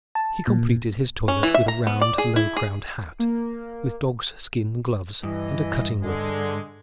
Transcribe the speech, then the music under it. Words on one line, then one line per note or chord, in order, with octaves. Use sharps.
He completed his toilet with a round, low-crowned hat, with dog's-skin gloves, and a cutting whip.
A5
A#2
C#4
E3
E5
A#5
B3
D5
G#4
E4
G#4
A#3
G2 E3 D#5
D3 G#3